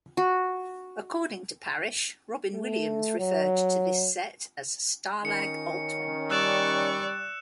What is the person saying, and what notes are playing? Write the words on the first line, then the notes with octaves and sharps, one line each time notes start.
According to Parish, Robin Williams referred to this set as "Stalag Altman".
F#4
A3
F#3
D#3 C#4 C#7
G3 D5 C#6 E6 F#6 E7